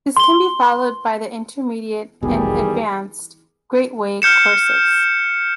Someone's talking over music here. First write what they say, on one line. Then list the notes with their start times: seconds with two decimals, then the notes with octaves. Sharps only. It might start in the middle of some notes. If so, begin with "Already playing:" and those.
This can be followed by the Intermediate and advanced, 'Great Way' courses.
0.17 C6 G7
2.23 F1 B1 E2 B2 D#3 G3 G#4
4.22 F6 G6 C#7 E7